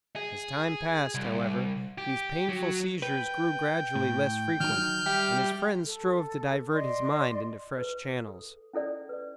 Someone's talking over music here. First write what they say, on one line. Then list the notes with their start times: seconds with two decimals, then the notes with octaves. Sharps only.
As time passed, however, these painful seizures grew gradually less frequent, and his friends strove to divert his mind into fresh channels.
0.16 G#4
1.15 C2
1.98 G4
2.49 F#3
3.02 B4 G5
3.95 A2
4.60 D#3 F#3 D#4 F6 G6
5.06 G3 E5 G5
5.85 A4
6.72 D5 D#5 C6
7.78 B4
8.28 A4
8.73 C#4 E4 A4 D5
9.09 B4 D5